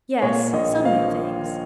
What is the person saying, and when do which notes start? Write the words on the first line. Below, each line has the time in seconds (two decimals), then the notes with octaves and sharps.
'Yes, some new things.
0.22 A#2 C#5
0.53 A#1 D#5
0.85 F3 F5